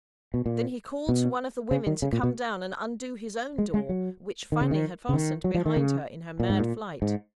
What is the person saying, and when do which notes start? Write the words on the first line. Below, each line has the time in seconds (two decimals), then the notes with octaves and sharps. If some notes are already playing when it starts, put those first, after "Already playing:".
Then he called to one of the women to come down and undo his own door, which Fanny had fastened behind her in her mad flight.
0.34 B2
0.46 A#2
1.09 B2
1.71 C#3
1.87 D#3
2.02 C#3
2.13 A#2
2.23 B2
3.58 G#3
3.74 G#3
3.89 F#3
4.52 D#3
4.61 C#3
4.71 D#3
5.09 C#3
5.14 D#3
5.44 F#3
5.55 F3
5.66 D#3
5.76 C#3
6.40 A#2
6.50 G#2
6.59 A#2
7.02 G#2